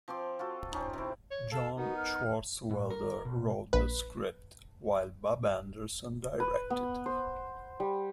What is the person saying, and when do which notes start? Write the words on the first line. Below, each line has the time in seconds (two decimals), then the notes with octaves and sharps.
John Swartzwelder wrote the script, while Bob Anderson directed.
0.08 F3 C4 C6 D6
0.39 F4 F#4 A4
0.72 C4 C#4 D#4
0.93 C3 E4
1.31 C#5
1.52 A4 F5 A5
1.77 B3 D#4 F#4 A#4
1.97 F6
2.71 A2
2.90 A#4
3.25 B2
3.73 A#1 B4
6.40 B4
6.70 B3
7.06 C5
7.80 G3